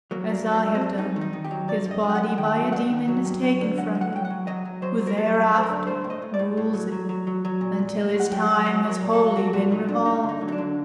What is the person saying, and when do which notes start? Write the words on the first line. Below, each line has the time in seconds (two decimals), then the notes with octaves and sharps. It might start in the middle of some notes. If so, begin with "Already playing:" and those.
As I have done, his body by a demon Is taken from him, who thereafter rules it, Until his time has wholly been revolved.
0.11 F#3 A#3
0.29 G2 A#3
0.46 F#3
0.52 A#3
0.63 G2
0.75 C4
0.81 G2
0.98 F#2 D#4
1.16 D#3
1.21 D#4
1.33 D#3
1.44 G4
1.51 F#3
1.68 G2 D5
1.86 G2
1.91 D#5
2.03 F#3
2.09 G5
2.15 G2 F#5
2.38 D#3 G5
2.56 F#3
2.72 G2 F#5
2.90 D#3
3.08 F#3
3.25 G2
3.43 F#3
3.60 D3
3.78 F#3 F#5
3.95 A2
4.01 F#5
4.13 F#3 G5
4.25 F#5
4.30 F#3
4.47 F#3 D#5
4.65 F#3
4.82 F#3 C5
5.00 F#3
5.07 A#4
5.17 F#3 A4
5.35 F#2
5.51 F#2
5.58 C5
5.63 A#4
5.69 D3
5.87 A2 C5
6.04 A2
6.10 D#5
6.22 A2
6.34 D5
6.39 A2
6.57 A2
6.74 F#3
6.92 F#3
7.09 F#3
7.27 F#3
7.45 F#3
7.61 A#2
7.79 A#2
7.97 A2
8.14 A2
8.20 F#5
8.31 F#3 G5
8.42 F#5
8.49 F#3
8.66 F#3 D#5
8.84 F#3
8.90 A#4
9.01 A#2
9.13 A4
9.18 F#3
9.36 F#3 F#4
9.53 A#2 F#4
9.71 F#3 D#4
9.88 A#2 D4
10.05 G2 D#4
10.23 D3
10.29 D#4
10.41 F#3
10.48 D#4
10.52 D4
10.58 D3